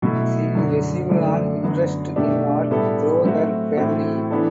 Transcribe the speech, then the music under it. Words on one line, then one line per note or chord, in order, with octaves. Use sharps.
She received an interest in art through her family.
B2 F#3 A3 E4
F#2 D3 F#3
F#2 D3 F#3 A3 D4
F#2 D3 F#3 B3
B2 A3 D4 G4
A2 G3 B3 E4 A4
F#3 A3 C4 F#4
A2 E3 A3 C4 F#4
E3 B3 D4 A4